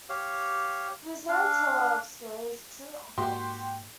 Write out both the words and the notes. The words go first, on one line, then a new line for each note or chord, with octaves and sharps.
He is no teller of stories, true or false.
G4 C#5 F5
D4 F5
G#2 A#3 F#4 G4 C6